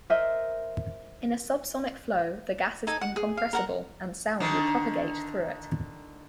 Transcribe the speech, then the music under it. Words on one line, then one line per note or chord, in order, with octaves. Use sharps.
In a subsonic flow the gas is incompressible, and sound will propagate through it.
A#4 C5 D#5 E5
D#4 A4 G#5
F#5
G#4
F5
A#4 F#5 A#5
D3 D#3 D4